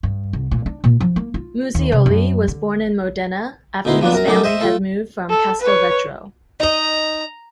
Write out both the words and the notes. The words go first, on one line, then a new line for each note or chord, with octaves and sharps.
Muzzioli was born in Modena, after his family had moved from Castelvetro.
G2
C2
A#2
D4
A#2
F3
A#3
F4
D#2
C3
F#2
D3
D2 B2 D#4 E4 C6
F3 A#3 B3 D4
F#2 A#4 A#5
F#2 A3 C#4 D#4 A4 D6
C5 D#5 E5
A3 F4 A4
A4
B4 C#5
D#4 D#5 A#5